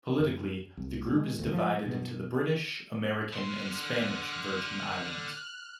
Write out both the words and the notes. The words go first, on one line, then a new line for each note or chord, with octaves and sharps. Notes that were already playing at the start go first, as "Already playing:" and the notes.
Politically, the group is divided into the British, American, and Spanish Virgin Islands.
F#2
C2
G#2
D2
F3
B2
D3 C6 F6 F#6